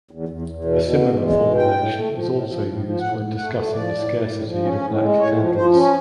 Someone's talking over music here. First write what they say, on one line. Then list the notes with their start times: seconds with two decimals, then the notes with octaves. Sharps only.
A similar formulation is also used when discussing the scarcity of black candles.
0.11 E2
0.29 E2
0.47 E2
0.65 B2
0.83 B2
1.02 E2
1.19 G#3
1.38 B2
1.55 A2 G5
1.73 A2
1.92 A3
2.11 F3
2.28 A2
2.46 F3
2.65 A2
2.83 F3
3.00 A2 F#5
3.19 A2
3.37 A3 F#5
3.55 A3
3.73 F3 D5
3.91 A2
4.10 A2
4.28 A2
4.46 F3
4.64 C#4
4.82 A2
5.01 G#3
5.19 A2 C#5
5.37 F3
5.55 F3 C5
5.73 C#4